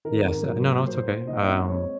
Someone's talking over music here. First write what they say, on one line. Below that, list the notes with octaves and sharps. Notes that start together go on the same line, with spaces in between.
Yes uh, no, no, it's okay. Um,
D#3 A#4
G#2
F#3
A#3
A#2 C5
A#2
D#4 D#5
C4
G#3 C#5